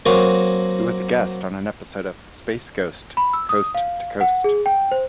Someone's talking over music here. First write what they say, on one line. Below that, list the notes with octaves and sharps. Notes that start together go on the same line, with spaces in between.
He was a guest on an episode of "Space Ghost Coast to Coast".
F#3 A#3 C4 F#4 A#4 G#5
B5
E6
D#6
F5
F#5
G#4
G5
C5